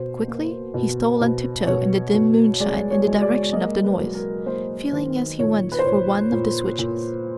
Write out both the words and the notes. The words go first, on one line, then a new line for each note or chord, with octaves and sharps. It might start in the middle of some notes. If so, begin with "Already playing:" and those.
Quickly he stole on tiptoe in the dim moonshine in the direction of the noise, feeling as he went for one of the switches.
Already playing: B2 C5
A#3
B2
B2
B2 C#5
B2
G#3 D5
C#5
G#3
D5
A#3 D#5
B4
F#3
A#4
A#3 C5
D#3 C5
A#2 C#5
B4
C5
A#2 C#5
A#2
A#2